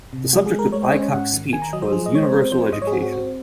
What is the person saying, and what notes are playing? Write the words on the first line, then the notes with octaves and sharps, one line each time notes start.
The subject of Aycock's speech was 'Universal Education'.
C3
G#3 F#4
G#4
G#3
A#4
G#3 C#5
C5
D#5
C#4 C#5
C#5
G#2 F#5
D#3
D#3 G#5
A#5
F#3 D#5
C5
F3 G#4
D#5
G#3 C#5
C5
C4 A#4
C5
F3 C5
C#5
G#2 D#5
C#5
G#4
C4 F#4
F#4
C4